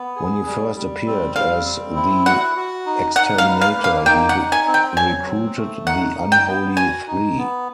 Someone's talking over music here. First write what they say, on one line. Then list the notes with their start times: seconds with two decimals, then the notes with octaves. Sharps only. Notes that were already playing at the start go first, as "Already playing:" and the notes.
When he first appeared as the Exterminator, he recruited the Unholy Three.
Already playing: B3
0.16 G#4
0.46 G3
0.75 G3
1.06 C4
1.36 G3 F5
1.66 C4
1.96 E4
2.26 F#4 F#5
2.56 F#4
2.86 D#4
3.16 D#4 F#5
3.38 F5
3.47 B4
3.61 F5
3.77 A#3
3.84 F5
4.06 D#4 G5
4.29 F#5
4.36 D#4
4.52 G#5
4.67 C4
4.74 G5
4.97 F#3 G#5
5.27 C4
5.57 A3
5.87 D#4 F#5
6.17 D#4
6.32 G5
6.47 B3
6.77 F#4 G#5
7.07 D#4
7.38 B3